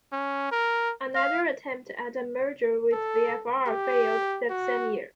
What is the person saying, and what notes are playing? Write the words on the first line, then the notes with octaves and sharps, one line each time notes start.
Another attempt at a merger with "VfR" failed that same year.
C#4
A#4
F5
A4
G4
F#4